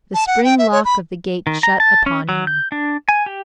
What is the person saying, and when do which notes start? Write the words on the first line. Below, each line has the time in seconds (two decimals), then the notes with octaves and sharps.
The spring-lock of the gate shut upon him.
0.14 A5
0.27 F#5
0.44 G5
0.59 E5
0.72 C#5
0.85 B5
1.47 D#3
1.63 A#5
1.80 A5
2.06 C#4
2.29 F#3
2.47 G6
2.72 D4
3.09 G#5
3.26 G4